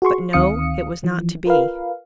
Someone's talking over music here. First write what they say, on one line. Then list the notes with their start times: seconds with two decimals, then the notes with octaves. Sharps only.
But no, it was not to be.
0.02 F#4 G#4 C6 C#6
0.33 D2 D#3 C4 F5 D#6 C#7
1.04 E3 F3
1.45 F4 A#4 B4 F5